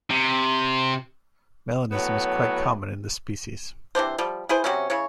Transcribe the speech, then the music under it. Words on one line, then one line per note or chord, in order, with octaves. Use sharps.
Melanism is quite common in this species.
C3
A2 F#3 B3
C3 E3 D4 C5
F3 G3
E4 G#4 B4 C5
C3 F#3 C4 C#4
C#3 E4 C#5